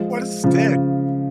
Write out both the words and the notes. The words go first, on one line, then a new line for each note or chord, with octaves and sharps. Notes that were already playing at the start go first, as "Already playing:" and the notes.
what a stick.
Already playing: F3 G#3
C#3 F3